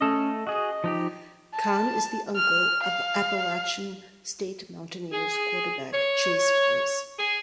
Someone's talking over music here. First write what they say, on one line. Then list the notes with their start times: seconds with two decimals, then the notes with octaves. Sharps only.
Conn is the uncle of Appalachian State Mountaineers quarterback Chase Brice.
0.01 A3 C#4 A4 D#5
0.47 F#4 G#4 D#5
0.84 F3 D#4 G4
1.55 A5
2.36 F6
2.82 F5
5.12 G#4
5.93 C#5
7.18 G#4